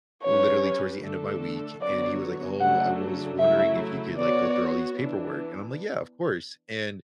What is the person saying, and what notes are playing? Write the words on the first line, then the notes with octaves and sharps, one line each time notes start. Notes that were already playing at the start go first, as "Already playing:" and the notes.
literally towards the end of my week. And he was like, "Oh, I was wondering if you could, like, go through all these paperwork?" And I'm like, "Yeah, of course." And,
F#3 C#4 G4 B4 C#5
D3 A3 D4 A4
D3 F#3 B3 F#4 C#5 D5
C#3 F#3 A3 D4 F#5
C#3 F#3 A3 E4 E5
B3 F#4 C#5 D5
E3 B3 D4